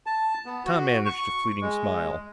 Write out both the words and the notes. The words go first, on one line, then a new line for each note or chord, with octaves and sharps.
Tom managed a fleeting smile.
A5
B3
F#4
C#6
G#3